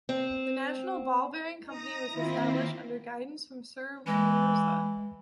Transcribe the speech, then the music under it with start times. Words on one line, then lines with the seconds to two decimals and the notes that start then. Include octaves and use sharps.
The National Ball- bearing company was established under guidance from Sir Mirza.
0.09 C4
1.67 D#4 A#5 D#6 A#6
2.14 D#3 A#3 C4 E4 F4
4.07 E3 G#3